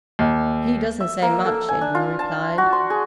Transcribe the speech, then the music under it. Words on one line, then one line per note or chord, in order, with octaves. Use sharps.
"He doesn't say much," Edwin replied.
D#2
E5
A#3
A4
G#5
D4
F4
A5
F#4
C6
G#4